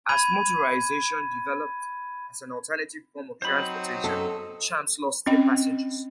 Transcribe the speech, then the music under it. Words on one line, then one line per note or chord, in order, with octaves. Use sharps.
As motorization developed as an alternative form of transportation, trams lost their passengers.
B5 G#6 D#7
F#3 C4 D#4 C5 B5
F#2 A4
C4 C#4 D#5 G5